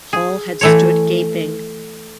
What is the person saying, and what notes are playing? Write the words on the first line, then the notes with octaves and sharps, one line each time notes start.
Hall had stood gaping.
G#4
E3 A3 C#5